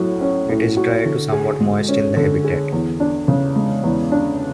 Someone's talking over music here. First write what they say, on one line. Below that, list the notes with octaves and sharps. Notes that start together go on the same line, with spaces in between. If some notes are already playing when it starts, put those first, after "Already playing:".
It is dry to somewhat moist in the habitat.
Already playing: A2 F#3 F#4
C#4
A2
F#4
D3
G#4
G#3
C#4
D3
G#4
E2
D4
C#3
G#3
E2
D4